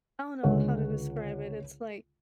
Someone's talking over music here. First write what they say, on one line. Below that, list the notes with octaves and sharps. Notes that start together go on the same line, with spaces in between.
I don't know how to describe it, it's like
C#2 D3 G#3 C#5 F#5